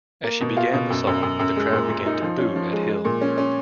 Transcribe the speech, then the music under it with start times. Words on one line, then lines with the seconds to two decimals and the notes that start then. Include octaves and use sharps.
As she began the song, the crowd began to 'boo' at Hill.
0.23 A#3
0.41 B2
0.57 F4
0.73 B2
0.90 F#2
1.07 F#2
1.23 F#2
1.39 F#2
1.56 G#3
1.72 A#2
1.89 A#2
2.06 D#4
2.22 F3
2.39 C#4
2.56 F3
2.72 G#3
2.88 G#3
3.05 A#2
3.21 C#4
3.38 C#4